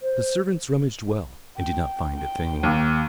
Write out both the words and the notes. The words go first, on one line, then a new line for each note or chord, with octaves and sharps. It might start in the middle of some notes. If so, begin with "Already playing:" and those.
The servants rummaged well, and did not find a thing.
C5
G5
G5
D#2